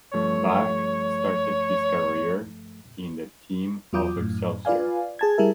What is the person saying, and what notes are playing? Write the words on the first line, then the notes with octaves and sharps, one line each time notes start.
Bak started his career in the team of Excelsior.
G2 F3 A3 C#5
E2 F#3 F4 D6 D#6 G6
F#2 A2
F4 B4 D5 F5 G#5
G#4 A5 G#6
G3 E4 G#4 A#4 E5